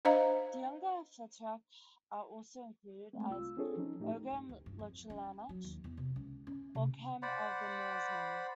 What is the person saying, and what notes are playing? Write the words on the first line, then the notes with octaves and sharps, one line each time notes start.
The Younger Futhark are also included, as" ogam lochlannach" "ogham of the Norsemen".
D4 C5 D#5 F5 A#5
G#3 A3 C4
C2 F4 E6
C4 D4 F4 G#4 A4 C#5
F3 C#4 D#4
A2 A3 D#4 G4
G2
D2
G2
F2
C#4
F#3
D#2
E2
C3
C#2
C#4
C3
C5 D5 F#5 B5